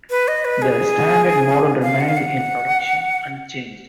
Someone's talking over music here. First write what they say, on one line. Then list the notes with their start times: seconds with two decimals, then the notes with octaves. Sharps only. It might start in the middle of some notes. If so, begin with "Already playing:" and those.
The standard model remained in production unchanged.
0.10 B4
0.28 D#5
0.45 B4
0.62 G#4
1.82 F5
2.00 F#5
2.08 F5
2.17 F#5